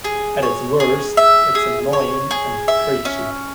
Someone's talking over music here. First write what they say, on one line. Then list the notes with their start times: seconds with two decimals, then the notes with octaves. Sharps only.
At its worst, it's annoying and preachy.
0.04 G#4
0.43 C#5
0.80 G#4
1.17 E5
1.55 G#4
1.93 C#5
2.31 G#4
2.68 E5
3.05 C#4